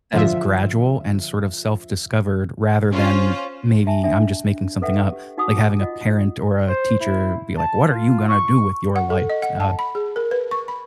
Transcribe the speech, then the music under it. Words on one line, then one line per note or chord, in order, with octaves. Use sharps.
that is gradual and sort of self-discovered rather than, maybe I'm just making something up, like having a parent or a teacher be like, "What are you gonna do with your life?" Uh,
D3 F3 F4 E5
C#4 F4 C5
E5 G#5 A5
D4 E5 G5
A4 B4 E5 F#5 G5
G4
D#4 F#4 F#5 D6 D#6
F4 D#5 F#5
C5
E4
A5
F4
C#6
F#5
A4
D#5
F#5
A5
B5
G#4
A#4
B4
C#6
B5